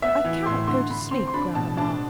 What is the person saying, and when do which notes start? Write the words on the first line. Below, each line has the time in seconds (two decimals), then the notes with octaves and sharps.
"I can't go to sleep, grandmamma."
0.02 B3 E5
0.24 E3
0.46 A2 C6
0.67 D3 C6
0.90 D3 B5
1.11 C4 C6
1.28 C6
1.34 D4 B5
1.55 B2 A5
1.77 D4 A5